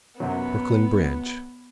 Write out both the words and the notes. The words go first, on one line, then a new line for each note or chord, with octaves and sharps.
Brooklyn Bridge.
F#2 C3 F#3 B3